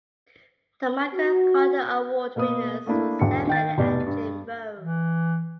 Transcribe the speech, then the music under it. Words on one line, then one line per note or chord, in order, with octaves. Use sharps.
The Michael Carter Award winners were Sam Bennett and Jin Bo.
F#4
B2 A#3 B4 D#6
A3 A#3 D4 E4
E1 D3 C#7
D#3 G5 A6
F1 B2 G4 D5
G2
E3